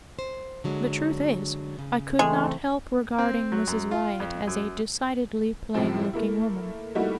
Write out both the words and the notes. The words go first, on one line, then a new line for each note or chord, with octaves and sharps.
The truth is, I could not help regarding Mrs. Wyatt as a decidedly plain-looking woman.
C5
D3 F#3 G#3
C#3
E3 G#3 A3 C4
C4
F#3
F#2
F4
F2
F#2
F#2 A2 C3 E3 F3 C4
A3 A#3 E4
G3 A3 A#3 D#4 E4 F#4